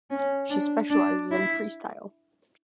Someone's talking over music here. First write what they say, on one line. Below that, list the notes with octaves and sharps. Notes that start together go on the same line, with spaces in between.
She specializes in freestyle.
C#4
D4
D4
E4